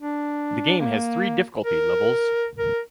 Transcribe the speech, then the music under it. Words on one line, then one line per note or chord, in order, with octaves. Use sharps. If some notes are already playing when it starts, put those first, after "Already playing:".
The game has three difficulty levels.
D4
A#3
A#4
A#4